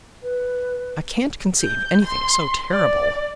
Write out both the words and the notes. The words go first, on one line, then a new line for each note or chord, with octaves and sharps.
I can't conceive anything so terrible.
B4
G6
C6
D5